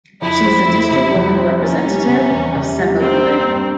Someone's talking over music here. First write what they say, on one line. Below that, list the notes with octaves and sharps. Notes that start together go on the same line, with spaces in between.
She is the district woman representative of Sembabule.
F2 E4
C4
F2
C3
F2
C4
A#3 C#4
G3
C3
E2
C3
G3
A#3 C4
A#3
G2